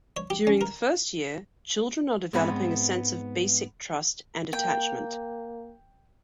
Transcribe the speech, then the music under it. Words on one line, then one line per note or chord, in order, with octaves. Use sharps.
During the first year, children are developing a sense of basic trust and attachment.
C#5
G4
C#4
A#4
G#2 G#3 B3 C4 B5
A#3 G5